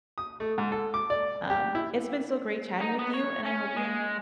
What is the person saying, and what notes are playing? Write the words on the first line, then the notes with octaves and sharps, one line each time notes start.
um, it's been so great chatting with you, and I hope you
D#6
A3
G#2
A4
D6
D5
G4
E4
D#4
B3
C#5
C#4
G#3